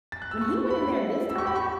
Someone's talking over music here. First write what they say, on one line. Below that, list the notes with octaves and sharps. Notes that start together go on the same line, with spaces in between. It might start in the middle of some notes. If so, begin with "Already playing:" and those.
When he went in there this time,
A6
F#6
E6
C#6
B5
E6
C#6
B5
C#6